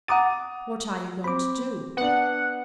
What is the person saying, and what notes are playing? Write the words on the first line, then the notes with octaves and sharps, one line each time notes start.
What are you going to do?
F#5 A#5 D6 D#6 A6 D#7
C4 B5 D6
B3 D4 F#5